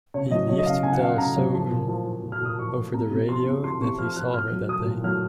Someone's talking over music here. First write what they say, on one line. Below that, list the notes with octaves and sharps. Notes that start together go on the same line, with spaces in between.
He leaves to tell So-eun over the radio that he saw her that day.
C#3 C#5
F#3 D#5
F#3 C#5
D#5
C#3 F5
C#3 G#5
F#5
C#3 F5
F#5
C#3 A#5
F#3
F3
A#2
F3
F3
A#2
F6
A#2 D#6
F3 C#6
F3
C3 A#5
C3
F3 C6
C3
F3 C6
C3 C#6
F3 F6
F3 F#6
A#2 F6
F#3
A#2 D#6
A#2
F#3 F6